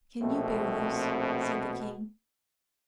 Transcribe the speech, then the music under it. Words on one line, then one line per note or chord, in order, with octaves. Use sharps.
"Can you bear this?" said the king.
A#1 B2 A3 C4